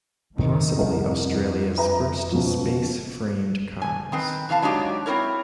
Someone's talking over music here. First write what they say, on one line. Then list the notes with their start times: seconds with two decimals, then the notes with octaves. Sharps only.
Possibly Australia's first space-framed cars.
0.37 A2 C3 D#3
0.77 C2 F2 A#4 D#5
1.78 B4 E5 A#5
2.31 C#2 B2 F3
3.82 G#5
4.12 D#3 C4 B4
4.49 C3 E3 F5 A5
4.62 F#3 G#3 D4 D#4 G4
5.06 C4 C#4 E4 A#4 C#5